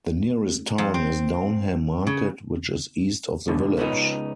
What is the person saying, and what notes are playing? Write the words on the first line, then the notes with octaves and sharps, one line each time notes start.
The nearest town is Downham Market which is east of the village.
F2
C4
C#3
G#2 B2 D3
C#2 B3 D#4